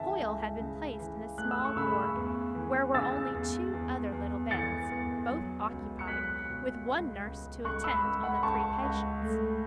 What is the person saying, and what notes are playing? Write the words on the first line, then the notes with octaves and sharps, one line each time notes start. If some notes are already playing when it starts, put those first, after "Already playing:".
Hoyle had been placed in a small ward where were only two other little beds, both occupied, with one nurse to attend on the three patients.
Already playing: C#2 C#3 E3 E5 A5
C#2
C#3
E3
A3 F#6
E6
C#6
C#3 B5 E6
E2
E3
C#3 E6 A6
E2
E2
E2
E3 A6 C#7
E2
F#3
C#2
C#7
F#3 F#6 B6
B2
C#2
C#2
C#2 C#6 F#6
B5 E6
C#2
F#5 B5
C#2 A5 C#6
C#2
A3